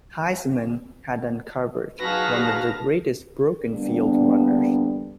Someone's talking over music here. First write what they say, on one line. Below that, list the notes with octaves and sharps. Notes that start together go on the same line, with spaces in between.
Heisman had uncovered one of the greatest broken-field runners.
F#3 D#4 F#4 G#4 B4 F5 A5 A#6
E2 D3 G3 A#3 B3 D4